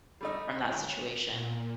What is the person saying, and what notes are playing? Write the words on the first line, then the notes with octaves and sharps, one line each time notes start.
from that situation.
G3 A3 D#4
D2 F#3
A#2